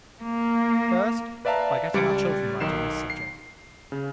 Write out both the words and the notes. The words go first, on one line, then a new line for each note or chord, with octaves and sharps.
First, by getting our children right on this subject.
A#3
B4 D5 E5 F5 A5 A#5
C#2 G3 D5 D6 C#7 D7
B1 D#3 C7 E7
C7
C#3